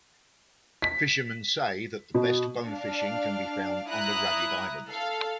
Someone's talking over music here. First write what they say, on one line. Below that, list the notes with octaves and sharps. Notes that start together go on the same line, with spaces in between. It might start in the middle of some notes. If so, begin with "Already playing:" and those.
Fishermen say that the best bonefishing can be found on the Ragged Island.
B6
B2
D4 F5
E4 A#5 D#6 F#6
A4 F5